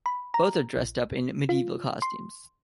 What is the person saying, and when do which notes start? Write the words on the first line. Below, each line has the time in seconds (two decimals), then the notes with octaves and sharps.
Both are dressed up in medieval costumes.
0.06 B5
0.34 A#5
0.77 A#1
1.49 F4
2.02 C6